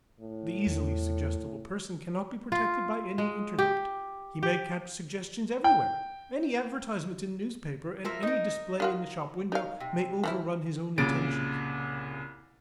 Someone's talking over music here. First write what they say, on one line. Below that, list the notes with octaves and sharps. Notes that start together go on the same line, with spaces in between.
The easily suggestible person cannot be protected by any interdict; he may catch suggestions everywhere, any advertisement in the newspaper and any display in the shop-window may overrun his own intentions.
A2
E2
F4
G#3
G4
G4
G5
F3 A#4 E5
D#4 A#4
D#3 F4 F#4
D#4 F5
C3
E3 F3 E4
C2 A#2 C#3 A6 D7